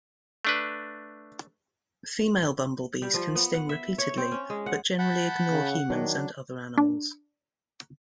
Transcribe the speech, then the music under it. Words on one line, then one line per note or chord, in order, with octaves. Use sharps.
Female bumblebees can sting repeatedly, but generally ignore humans and other animals.
A3 D4 B4
G3
F3
B3
F#5
E5
C#5
C4
C#4
G#3
F#5
F#5 A5 B5 G6
C#3
D#3 F#3 D4
D4